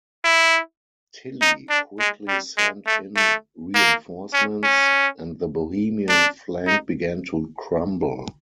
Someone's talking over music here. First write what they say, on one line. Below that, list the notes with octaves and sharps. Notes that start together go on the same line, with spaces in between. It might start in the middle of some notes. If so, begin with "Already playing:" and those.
Tilly quickly sent in reinforcements, and the Bohemian flank began to crumble.
E4
D#4
D4
G#3
G3
G#3
A3
A3
A#3
C#4
C#4
D4
D#4